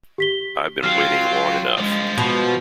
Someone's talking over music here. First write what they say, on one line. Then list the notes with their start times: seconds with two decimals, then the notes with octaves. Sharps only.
I've been waiting long enough.
0.18 G4 B6 G7
0.84 F#3 F4 G5 F6 C7
1.78 G2 F3 G#3
2.18 B2 F3